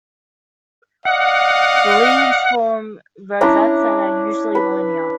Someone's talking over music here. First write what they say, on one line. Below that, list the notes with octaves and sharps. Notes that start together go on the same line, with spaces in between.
The leaves form rosettes and are usually linear.
D5 D#5 F5 F#5
C#4 D4 E4 A#5
B4